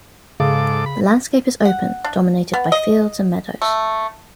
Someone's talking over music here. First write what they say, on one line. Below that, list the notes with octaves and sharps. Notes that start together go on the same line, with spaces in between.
The landscape is open, dominated by fields and meadows.
G#2 C#3 A4 D6
B5
F#5
D4
B3
D#5
A3